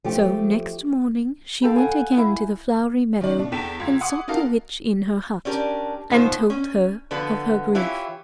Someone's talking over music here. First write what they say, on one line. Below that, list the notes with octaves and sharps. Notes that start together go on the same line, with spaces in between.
So next morning she went again to the flowery meadow and sought the witch in her hut, and told her of her grief.
F3 A3 G4
A4 F5 G5 B5
F#5 G#5
E4
D#3 C#4 D5
B2 D4
E2 A4 G5 B6 E7
C#2 C6 G#6
F#5 C6 D6 D#6
D#4 F#4 A4 A#4 F5
C#4 D4 G4 A#4
B2 D#3 B3 F4 C5
C#4
D3 F3 B3 F#4 B4
E3 E4 F4 G4 C#5